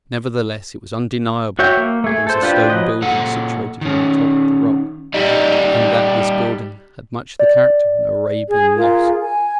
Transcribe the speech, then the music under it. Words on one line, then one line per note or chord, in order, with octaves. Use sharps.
Nevertheless, it was undeniable that there was a stone building situated on the top of the rock, and that this building had much the character of an Arabian mosque.
F#4 C#5 E5 G5
A#3
A3 G#4
A4 C5
D4 F4 G4 B4 C5
F3 F#3 B4 D#5
A#2 A4 F#5
D#3 C#4
G3 D#4
D5
G#4
F4 G#4 A#4
G#5